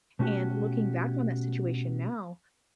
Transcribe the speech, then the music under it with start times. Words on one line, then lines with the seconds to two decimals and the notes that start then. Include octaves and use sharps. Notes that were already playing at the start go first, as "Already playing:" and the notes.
And looking back on that situation now,
0.19 B2 A3 C#4 F#4 G4